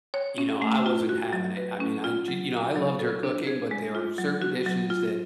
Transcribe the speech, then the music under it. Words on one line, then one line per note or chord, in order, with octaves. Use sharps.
you know, I wasn't having it. I mean I g you know, I loved her cooking, but there are certain dishes that,
C#5
C#4
A3
F4
F#4
F#3
B4
C#4
F4
F#3
F#4
F#3
A4
D4
G#4
G#3
F4
F#3
F#4
F#3
F4